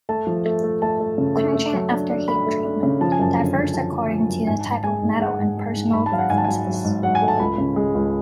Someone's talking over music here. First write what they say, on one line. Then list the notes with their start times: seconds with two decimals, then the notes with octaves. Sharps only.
Quenching after heat treatment differs according to type of metal and personal preferences.
0.09 A3 A5
0.27 F3
0.45 A3
0.63 A3
0.82 A3 A5
1.00 A3
1.18 C#3
1.37 A3
1.55 A3
1.73 F#3
1.91 D4
2.10 D4
2.28 A3 B5
2.46 A3
2.65 D4
2.83 C#3
3.01 F3 A5
3.12 G#5
3.19 F#2 A5
3.38 D3
3.56 F#2
3.74 F3 A5
3.92 F3
4.11 F3
4.29 F#2
4.47 G#2 G#5
4.60 A5
4.66 G#2
4.72 A5
4.84 G#3 G#5
5.02 G#2
5.20 G#3 F#5
5.39 G#2
5.57 G#3
5.76 G#2
5.93 G#2 B5
6.06 A5
6.12 F#3 F5
6.18 F#5
6.30 G#2 G#5
6.38 A5
6.44 F#3 G#5
6.67 F#3
6.84 G#2
7.03 F#3 F#5
7.15 G#5
7.22 A3
7.28 A5
7.40 C#2 B5
7.58 C#3
7.76 G#3
7.95 C#2